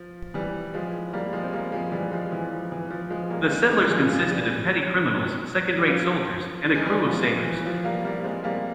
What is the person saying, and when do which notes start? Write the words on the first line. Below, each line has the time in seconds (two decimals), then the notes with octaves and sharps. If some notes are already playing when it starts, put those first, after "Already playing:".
The settlers consisted of petty criminals, second-rate soldiers and a crew of sailors.
Already playing: F3
0.34 E3 G3
0.74 F3 G#3
1.13 G3 A#3
1.33 F3 G#3
1.44 C4
1.53 G3 A#3
1.72 F3 G#3
1.92 E3 G3
2.12 F3 G#3
2.32 E3
2.52 F3
2.72 E3
2.91 F3
3.10 F3 G#3
3.30 G3 A#3
3.50 G#3 C4
3.70 G#3 C4
3.81 G3
3.90 F3 G#3
4.10 F3 G#3
4.22 F3
4.29 E3 G3
5.78 G3
5.88 F3
6.75 G#3
6.86 E3 G3
7.06 F3
7.26 F3
7.45 E3
7.66 F3
7.85 G3 A#3
8.04 G3 A#3
8.24 G#3 C4
8.44 G3 A#3